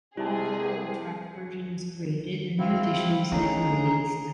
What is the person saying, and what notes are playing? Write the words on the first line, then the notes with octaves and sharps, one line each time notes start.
Although a draft version was created, a new edition was never released.
C3 G3 E4 G#4 A5
C4 E4 F#4 F5
D#3 A3 C#4 D#4 G#4 A#5